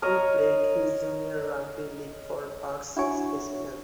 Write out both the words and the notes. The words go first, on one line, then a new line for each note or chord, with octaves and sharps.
He played his junior rugby league for Parkes Spacemen.
A#4 C#5 D#5 A#5
D4 E4 F#4 C#5 G#5